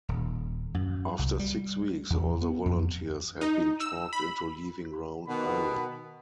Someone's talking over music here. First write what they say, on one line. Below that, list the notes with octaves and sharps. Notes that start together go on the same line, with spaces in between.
After six weeks, all the volunteers had been talked into leaving Round Island.
D#1
F#2
C2
G3
E2
B3
F2
D#4
E6
B5
B2 D#3 B3 B5